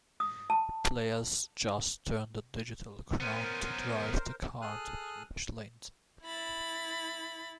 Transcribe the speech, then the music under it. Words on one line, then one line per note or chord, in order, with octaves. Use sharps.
Players just turn the Digital Crown to drive the car to switch lanes.
D#6
A5
B3 C#4 A#4 C5
G#4 A4 D#6 F6 F#6
E4 B5 A6